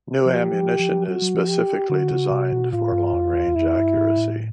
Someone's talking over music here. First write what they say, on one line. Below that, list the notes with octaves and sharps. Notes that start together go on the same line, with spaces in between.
New ammunition is specifically designed for long range accuracy.
F3 G4
F3
F3
F#3 F#4
F#3
F3
G4
D3 F#4
C#3
C3
B2
A2 F4
G2
F2
E2
E2
F2 E4
G2
G#2
A2